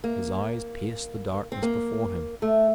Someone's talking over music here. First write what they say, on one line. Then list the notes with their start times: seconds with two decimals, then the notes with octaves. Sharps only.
His eyes pierced the darkness before him.
0.04 A#3
1.52 C4
1.62 A#3
2.42 A3